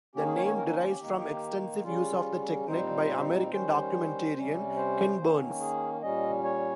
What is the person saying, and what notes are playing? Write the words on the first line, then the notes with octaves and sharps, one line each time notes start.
The name derives from extensive use of the technique by American documentarian Ken Burns.
D#3 A#3 C#4 G4
G#4
C#5
C#5
A#4
D#4
F4
G4
D#3 A#3 D#4
C#3 G3 C#4 F4
A#2 G3 C4 D#4 C5
D#3 G3 C#4 C5
C3 G3 C#4
C5
D#3 A#3 C#4
G#4
A#2 G3 C#4 D#5
C#5